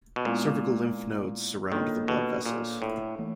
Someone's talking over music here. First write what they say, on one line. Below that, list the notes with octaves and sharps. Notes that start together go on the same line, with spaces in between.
Cervical lymph nodes surround the blood vessels.
B2
A#2 G#3 B3 E4
D#3 A#3 D4 F4 A4 C#5
B2
A#2
A2
E3 A3